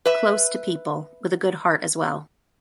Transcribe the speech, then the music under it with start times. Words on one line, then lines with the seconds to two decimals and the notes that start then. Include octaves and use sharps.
Close to people, with a good heart as well.
0.06 B4 E5